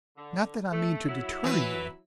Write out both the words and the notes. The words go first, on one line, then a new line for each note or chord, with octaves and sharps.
Not that I mean to deter you.
D3
A3
F#3 E4
E3 B4